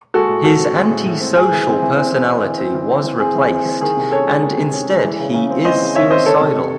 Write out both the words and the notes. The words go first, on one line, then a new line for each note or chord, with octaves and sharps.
His anti-social personality was replaced and instead he is suicidal.
G#3 F#4 A4
A2
A2 F#4 A4
C4
G#3
A2
A2
C4
C4 G#4
E3
C4
E3
C4
E3
C4
E3
C4
E3
C4
E3
C4 G#4
E3
C4
E3
D#3 G#4
C3
C#4 A4 C#5
G#3
D#3
C3
C#4
G#3
E3
C#3
C#3
C4
E3 C5 D#5
C#3
C#3 C#5 E5
C4 C5 D#5
D#3 A4 C#5
C3
C3